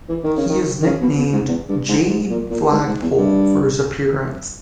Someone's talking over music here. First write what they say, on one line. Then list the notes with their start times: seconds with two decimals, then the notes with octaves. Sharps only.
He is nicknamed "Jade Flagpole" for his appearance.
0.09 E3
0.24 D#3
0.37 C#3
0.49 D#3
0.82 D#3
0.85 C#3
1.01 B2
1.17 B2
1.32 G#2
1.48 E2
1.69 G2
1.88 G#2
2.09 G#2
2.30 A#2
2.50 A#2
2.71 G#2
2.86 G#2
3.02 E2
3.17 G2